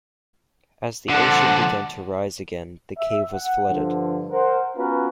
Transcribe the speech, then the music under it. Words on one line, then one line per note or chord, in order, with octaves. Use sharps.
As the ocean began to rise again, the cave was flooded.
D3 F3 D5 F#5
E5
F#5
G2 D3 F3
A#4 C5 F#5
B3 C#4 F4 F#4 A#4 B4